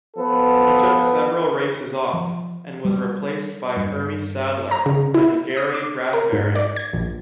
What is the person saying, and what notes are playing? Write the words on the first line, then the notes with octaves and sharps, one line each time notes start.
He took several races off, and was replaced by Hermie Sadler and Gary Bradberry.
F3 B3 A4 B4
F3
G3
G2
A#5
C#3
E4
D#6
D6
A#4
G#2
D5
G#6
A#1